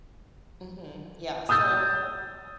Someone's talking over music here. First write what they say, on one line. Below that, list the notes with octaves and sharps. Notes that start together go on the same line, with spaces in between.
Mhm, yeah, so
D#6 E6 G6 A6